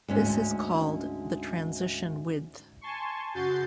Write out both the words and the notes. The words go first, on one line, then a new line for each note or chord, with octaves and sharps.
This is called the transition width.
D2 G#2 C#4
G#5 A5 C6 C#6
F#2 C#3 F#4 G6 A6 C7